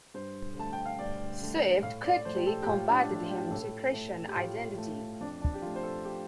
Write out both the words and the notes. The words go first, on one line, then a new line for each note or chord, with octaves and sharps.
Swift quickly converted him to Christian Identity.
G2 C5
D3 A3 A5
G5
F5
G2 D5
D3 A3
A2 F5
D5
F3 A3 C5
G4
A4
G4
A2 F4
D4
F3 A3
F4
G4
A2 A4
A3
G4
A2 F4
A3
F2 D4
D4
G4
F3 A3 F4
C5
A4
G4